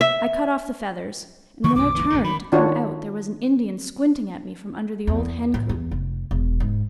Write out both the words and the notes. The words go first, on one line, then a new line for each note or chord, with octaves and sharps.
I cut off the feathers, and when I turned to come out there was an Indian squinting at me from under the old hen-coop.
E5
D#3 E3 G3 C#6
C2 G2 B2 D6
G1 D#2 E3
G#1 F2 D3
D#3 B5
D#3 D4 F4 F#4 C#5
E2
A1
E2
F1
E1
G#2